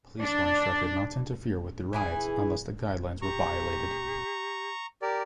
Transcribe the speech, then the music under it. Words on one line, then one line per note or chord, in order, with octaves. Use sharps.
Police were instructed not to interfere with the riots unless the guidelines were violated.
D4
E3 E4 G#4
G4 A#5 C#6
G4 A#4 D5